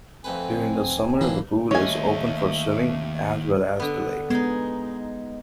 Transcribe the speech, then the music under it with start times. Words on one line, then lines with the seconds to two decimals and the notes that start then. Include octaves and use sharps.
During the summer the pool is open for swimming, as well as the lake.
0.24 F2 A3 C4 B4 G#5
1.21 E3 A#3 D4 E4
1.71 D#2 A3 C#5 D#5 G#5
3.80 D3 B3
4.30 G#3 B3 D#4